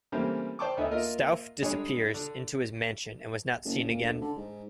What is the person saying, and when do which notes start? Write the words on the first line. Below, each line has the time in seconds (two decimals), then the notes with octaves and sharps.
Stauf disappears into his mansion and was not seen again.
0.12 E3 G3 A3 A#3 C4 C#4
0.59 C5 D5 G5 A5 C#6 D6
0.77 D2 B3 D#4 A4 E5 G#5
0.91 A#3 F4 A#4 D#5 E5
1.62 D3 G3 G#3 D4 G#4 C#5
2.14 D3 D4
3.65 F#1
3.88 A#2
4.02 D2
4.21 D3
4.36 G#2